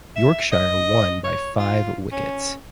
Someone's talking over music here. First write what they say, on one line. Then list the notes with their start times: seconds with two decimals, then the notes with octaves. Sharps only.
Yorkshire won by five wickets.
0.16 E5
0.52 D#5
1.24 C#5
1.58 F4
2.12 C#4